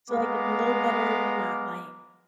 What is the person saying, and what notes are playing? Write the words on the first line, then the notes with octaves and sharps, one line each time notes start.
So, like, it's a little better, but not, like,
G#3 B3 F5 A#5 D6